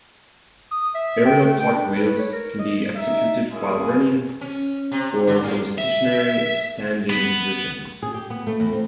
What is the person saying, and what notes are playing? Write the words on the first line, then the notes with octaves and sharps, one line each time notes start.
Aerial cartwheels can be executed while running or from a stationary, standing position.
D#6
E5
G5
A3
G5
D4
B4
C#5
A#4
D#5
D#4 E5
G#3 A#3 C#4 E4 G#4
C#4
C3
D3
A2
E5
B3
G#4
G4
B3
A3
E2
C4